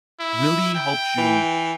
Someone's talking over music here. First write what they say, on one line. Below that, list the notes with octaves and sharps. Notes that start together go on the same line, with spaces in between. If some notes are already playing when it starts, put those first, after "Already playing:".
really helps you
E4
G5
E3